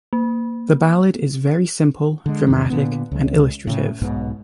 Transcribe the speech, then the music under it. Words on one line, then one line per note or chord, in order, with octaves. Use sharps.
The ballad is very simple, dramatic and illustrative.
A#3
D3 G#3
E2 G#2 D#3
A#2 D3 B3
C#2
A2 C#3
B1 G#2 B2